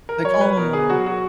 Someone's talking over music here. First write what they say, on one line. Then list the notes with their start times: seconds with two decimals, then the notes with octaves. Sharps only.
they call 'em, uh
0.09 A#4
0.24 F#3 C#5
0.41 B4
0.57 B2 A#4
0.73 G#4
0.90 F#3 F#4
1.06 F#4